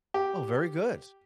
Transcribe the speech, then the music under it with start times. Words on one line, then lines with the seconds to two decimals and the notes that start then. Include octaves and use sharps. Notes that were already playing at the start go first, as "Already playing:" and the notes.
Oh, very good.
0.14 G4